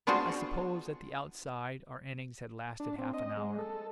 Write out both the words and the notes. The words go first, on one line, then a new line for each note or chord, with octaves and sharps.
I suppose, at the outside, our innings had lasted half an hour.
B3 D4 F4 F#4 G#4 C5
D4
C4
D#5
G#3
A4